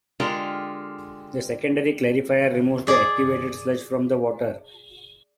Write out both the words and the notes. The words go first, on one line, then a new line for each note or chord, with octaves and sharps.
The secondary clarifier removes the activated sludge from the water.
D3 G#3 D4 F4 G4 A#4
G#4 D5